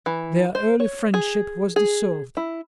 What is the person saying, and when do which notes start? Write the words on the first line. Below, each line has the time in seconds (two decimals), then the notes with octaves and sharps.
Their early friendship was dissolved.
0.06 E3
0.55 C5
0.80 C#5
1.14 G#4
1.76 G#4
2.37 E4